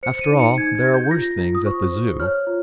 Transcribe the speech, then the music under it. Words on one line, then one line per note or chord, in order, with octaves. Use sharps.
After all, there are worse things at the Zoo.'
C5 C#7
D#7
D#4
C#7
D#4 G#6
G#6
G4
G6
F4 A#6
F4
D#6
C5 C#6
C5
C#5 F6
F4